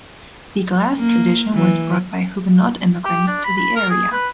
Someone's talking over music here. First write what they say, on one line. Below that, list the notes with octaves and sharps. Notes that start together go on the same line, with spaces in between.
The glass tradition was brought by Huguenot immigrants to the area.
A#3
E3
G4
D4
B5
B5
A#4
G#4
B4